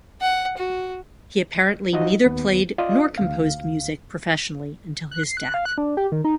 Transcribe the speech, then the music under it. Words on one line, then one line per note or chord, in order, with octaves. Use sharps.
He apparently neither played nor composed music professionally until his death.
F#5
F#4
F3 D#4 F4 F#4 D#5
D#2 B3
F4 D5 D#5 F5 D#6
D2 F5
F#6
C7
F#6
F5
F#6
D4
G4
D#3
D#4